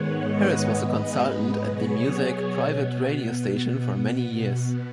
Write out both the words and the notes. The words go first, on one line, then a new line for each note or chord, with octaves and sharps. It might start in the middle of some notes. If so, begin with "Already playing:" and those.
Harris was a consultant at the Muzak private radio station for many years.
Already playing: G#2 D#3 G#3 B3 C#5 F#5
B4 D#5
G#2 G#3 B3 B4 D#5
B2 F#3 B3 G#4 C#5
B2
B3